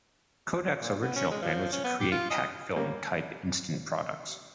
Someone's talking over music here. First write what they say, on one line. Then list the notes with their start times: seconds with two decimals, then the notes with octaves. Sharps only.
Kodak's original plan was to create packfilm type instant products.
0.81 A#2
1.03 B3
1.16 C#4
1.31 G#3
1.42 F3
1.73 C#4
1.84 B3
2.00 G4
2.12 F4
2.30 D#5
2.76 G3 A#3 C#4